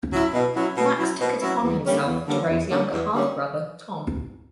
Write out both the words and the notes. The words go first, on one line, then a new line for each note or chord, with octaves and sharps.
Max took it upon himself to raise younger half brother Tom.
F#3 C#4 E4
B2
F#3 C#4 E4
B2
F#3 C#4 E4
B2
F#3 C#4 E4
E2
D3 G3 A#3 C#4
E2
D3 G3 A#3 C#4
E2
D3 G3 A#3 C#4
E2
D3 G3 A#3 C#4